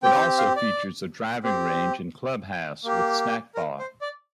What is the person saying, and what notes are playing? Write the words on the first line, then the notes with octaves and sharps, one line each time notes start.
It also features a driving range and clubhouse with snack bar.
C4 G4 G5
G5
F5
D5
C4 G4
A#3 G4
A#4
C5
D5